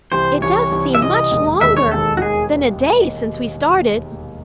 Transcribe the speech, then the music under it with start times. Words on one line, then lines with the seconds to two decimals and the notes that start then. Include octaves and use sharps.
"It does seem much longer than a day since we started."
0.12 C2 C3 E3 C5
0.41 C2 C3 E3 C#5
0.71 C2 C3 E3
0.95 E5
1.01 C2 C3 E3 D#5
1.31 E1 D#2 D#3 G#3
1.61 E1 D#2 D#3 G#3 E5
1.77 C#5
1.92 E1 D#2 D#3 G#3 A4
2.17 F#4
2.21 D#3 G#3 G#4